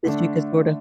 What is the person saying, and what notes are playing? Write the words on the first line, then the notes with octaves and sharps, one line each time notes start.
that you could sorta
D3 A3 D4